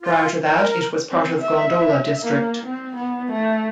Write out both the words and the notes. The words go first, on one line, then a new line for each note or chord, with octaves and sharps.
Prior to that it was part of Gondola District.
F4
A#2
A#4
C4
E5
A#3
C4
B3
A3